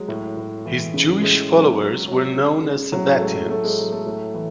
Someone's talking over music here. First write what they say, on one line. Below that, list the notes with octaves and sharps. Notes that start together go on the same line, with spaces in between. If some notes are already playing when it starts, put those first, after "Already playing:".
His Jewish followers were known as Sabbateans.
Already playing: F#3 G#3
A2
A2
E3
C#3
A2 G#3
F#3
C#3
F#3
C#3
C#3
A2 F#3
A3
A2 G#3
F#3 A3
G#3
F#3
A3
A2
E3